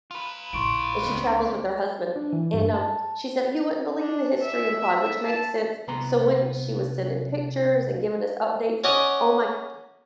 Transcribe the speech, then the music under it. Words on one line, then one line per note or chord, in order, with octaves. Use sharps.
and she travels with her husband, and, um, she said, "You wouldn't believe the history in Prague," which makes sense. So when she was sending pictures and giving us updates, oh my
F4 B4
A#1 E4 C6 C#6 D7
C#2 B3 C4 D4
D4
E3
G2
A5
D4
E5
A5
C2 B3 A#5 C6
C#4 F#4 D5 D#5